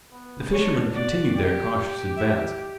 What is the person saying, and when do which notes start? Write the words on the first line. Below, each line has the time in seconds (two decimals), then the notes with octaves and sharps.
The fishermen continued their cautious advance.
0.12 B3
0.52 D4 C#5
0.94 F#4 D5
1.34 G4
2.17 E5